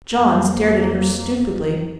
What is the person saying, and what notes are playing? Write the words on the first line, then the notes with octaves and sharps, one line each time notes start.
John stared at her stupidly.
F2 A#3